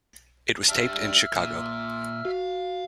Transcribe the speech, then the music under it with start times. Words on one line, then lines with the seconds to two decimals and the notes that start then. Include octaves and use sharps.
It was taped in Chicago.
0.68 G3 D4 E5 E6 F6
1.36 A#2
2.25 F#4 F5